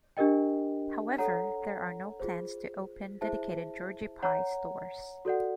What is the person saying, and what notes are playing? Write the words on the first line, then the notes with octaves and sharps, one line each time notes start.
However, there are no plans to open dedicated Georgie Pie stores.
D4 G4 A#4 D#5 G5
A4 C#5 F#5 A#5
F4 G#4 C5
E4 G#4 C5 E5 A5
C#5 F#5 A#5
F#4 A4 D5 F#5